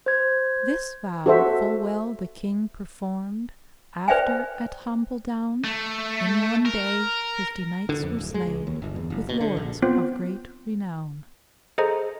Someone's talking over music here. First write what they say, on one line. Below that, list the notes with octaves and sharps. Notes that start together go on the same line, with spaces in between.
This vow full well the king perform'd After, at Humbledowne; In one day, fifty knights were slayne, With lordes of great renowne.
C5 G#6
F#4 A4 C5 E5
B4 C5 D5 E5 G5 G#5
A3
A#4
D3
F2
D1
G#3
C#2
D#2
G1
E2
F#1
B2
D3
A#1
B3 C4 F4 C5
G#4 A4 C5 D#5 A#5